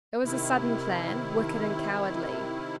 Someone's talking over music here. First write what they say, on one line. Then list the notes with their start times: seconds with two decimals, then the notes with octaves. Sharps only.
It was a sudden plan, wicked and cowardly.
0.24 C3 D#3 E4